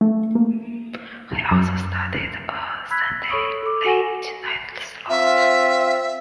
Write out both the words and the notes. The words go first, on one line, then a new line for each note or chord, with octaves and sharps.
He also started a Sunday late night slot.
A3
A#3
F#2
B5 E6 F#6 G#6 B6
A4 C#5 B5 C#6 D#6 E6
A4 D6
F#4 A4 F#5 G#5 C#6 A#6
C4 F4 E5